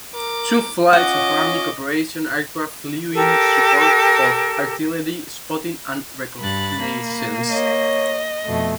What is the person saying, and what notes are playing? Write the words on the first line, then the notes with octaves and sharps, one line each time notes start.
Two flights of Army Cooperation aircraft flew in support of artillery spotting and reconnaissance.
A#4 D6
C#4 F4 C#5 D#5 F#5 D6
G4 A4 A#4
G2 B5 F#6 A6
A#3
C#5 D#5
F2 B2 A3